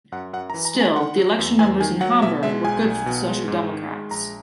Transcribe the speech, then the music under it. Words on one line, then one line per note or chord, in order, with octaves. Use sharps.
Still, the election numbers in Hamburg were good for the Social Democrats.
F#2 F#5
F#2 F#5
A#5
E3
A#5
G#3
G#5
D#3 F#5
F#3
E2
E2 G#5
D#3 G#5
F#3 F#5
B2 E5
G#3 E5
B1 G#5
B1
B2
G#3
G#2
D#3
G#3
A#1 A#5